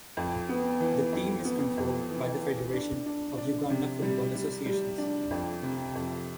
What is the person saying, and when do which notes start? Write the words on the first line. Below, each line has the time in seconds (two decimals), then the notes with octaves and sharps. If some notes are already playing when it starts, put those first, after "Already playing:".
The team is controlled by the Federation of Uganda Football Associations.
0.17 F2
0.49 B3
0.80 E3
1.12 F2
1.45 B3
1.77 F2
2.10 E3
2.41 E3
2.73 D4
3.06 D4
3.37 D4
3.70 C3
4.02 G3
4.35 G3
4.66 G3
4.98 D4
5.31 F2
5.63 C3
5.95 F2